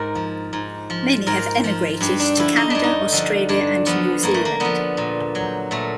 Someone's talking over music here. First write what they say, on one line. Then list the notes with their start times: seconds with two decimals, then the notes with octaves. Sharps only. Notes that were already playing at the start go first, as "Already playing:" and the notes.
Many have emigrated to Canada, Australia and New Zealand.
Already playing: G#2 A#4
0.15 F3
0.53 G#2
0.90 F3
1.27 G#2 A#4
1.64 F3
2.01 G2 G4
2.20 D4
2.37 D3 F3 E4
2.56 D#4
2.70 G2 D4
2.84 D#4
3.12 D3 F3
3.49 G2 D4
3.86 D3 F3 B3
4.23 G2 A#3
4.34 A3
4.45 A#3
4.60 D3 F3 B3
4.97 A#2
5.35 F#3
5.71 A#2 A3